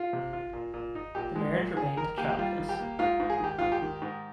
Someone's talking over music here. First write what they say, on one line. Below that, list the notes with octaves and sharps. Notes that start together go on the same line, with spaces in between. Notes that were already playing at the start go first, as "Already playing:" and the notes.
The marriage remained childless.
Already playing: F4
C3
F4
A#2
A#2
D#4
A#2 G4
G#3
A#2
D#3 G#4
D#3 A#4
A#3 G4
G4
G3 F4
D#3
G4
A#3
G#2 F4
G#2
G#4
D#3 G4
G#2 F4
G4
D#3
G#2